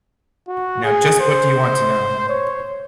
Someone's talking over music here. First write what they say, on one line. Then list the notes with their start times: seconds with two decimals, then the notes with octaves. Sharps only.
Now just what do you want to know.
0.48 F#4
0.84 G#4
1.20 C5
2.29 C#5